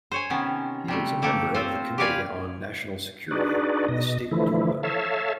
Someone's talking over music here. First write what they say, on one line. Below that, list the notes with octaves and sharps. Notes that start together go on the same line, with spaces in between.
He is a member of the Committee on National Security of the State Duma.
C5 C#5 G#5
C3 D#3 B3 C#4
C3 G3 A3
A3 A#3 G4 A4
C4 F4 A4 C5
G4 B4 C#5 D5 F5 G#5
D4 D#4 F#4 G#4 B4 D5
B2 D#5
D3 E3 F3 A3 E4
A4 C#5 E5 F5 A5